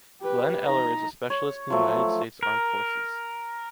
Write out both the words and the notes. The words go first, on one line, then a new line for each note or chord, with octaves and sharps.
Glenn Eller is a specialist in the United States Armed Forces.
G4 B4
D#4 A#5
C#5
F3 F#3 A3
A#4